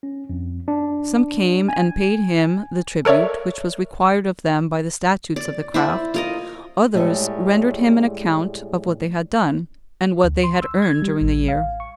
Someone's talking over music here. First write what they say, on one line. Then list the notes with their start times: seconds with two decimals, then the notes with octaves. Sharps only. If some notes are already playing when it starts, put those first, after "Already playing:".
Some came and paid him the tribute which was required of them by the statutes of the craft; others rendered him an account of what they had done, and what they had earned during the year.
0.03 C#4
0.30 F2
0.68 D4
1.69 G#5
3.05 A4 A#4 C#5 D5 E5
5.36 D5
5.74 E4 C5 D5
6.14 F4 A#4 D#5
6.94 A2 G3 G#3 C#5
10.24 D2
10.44 C6
10.62 E6
10.82 G#6
11.02 G3
11.21 A1
11.48 F5
11.80 C#6